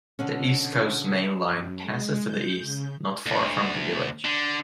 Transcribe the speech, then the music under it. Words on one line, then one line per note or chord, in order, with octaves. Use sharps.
The East Coast Main Line passes to the east, not far from the village.
B2 D3 C#4
F#2
G#3
G6
C#3
D2
D3